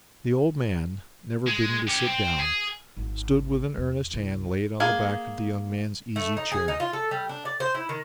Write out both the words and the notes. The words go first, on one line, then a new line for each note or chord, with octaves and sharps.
The old man, never bidden to sit down, stood with an earnest hand laid on the back of the young man's easy chair.
G#3
C#4 G4
C4
G#4
G#1
E2
C2
A#3 G#4
A3
D#4
G#4
D#4
F4
A4
G3
D4
D5
C5
E4
D#3